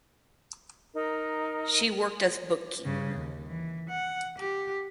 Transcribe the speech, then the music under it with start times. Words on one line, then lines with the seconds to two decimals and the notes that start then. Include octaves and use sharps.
She worked as bookkeeper.
0.94 D#4 A#4
2.84 G2 C#3
3.15 D#2
3.48 E3
3.90 F#5
4.39 G4